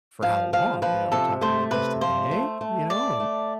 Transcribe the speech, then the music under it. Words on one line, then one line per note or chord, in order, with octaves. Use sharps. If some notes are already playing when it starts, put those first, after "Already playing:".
for how long? You know, are we talking, like, just a day?" You know? And
F3 F5
F3 F5
F3 B4
C3 A4
A3 C5
C3 B4
F3 C5
A3
A3
A3 D5
A3